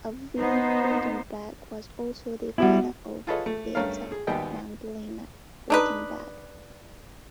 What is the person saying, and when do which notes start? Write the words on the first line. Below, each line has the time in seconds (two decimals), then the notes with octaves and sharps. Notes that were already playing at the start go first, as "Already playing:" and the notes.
Arvid Wittenberg was also the father of Beata Magdalena Wittenberg.
0.39 B3 D#4 C5
2.58 G3 B3 E4 F#4 F#5
3.27 F4 G#4 A4 B4 C#5 D#5
3.46 A3
3.75 G2 A3 C#4 A4 A#4 F5
4.12 G#4
4.27 G#1 D#2 G3 B3 D#5 G5
5.70 D4 D#4 B4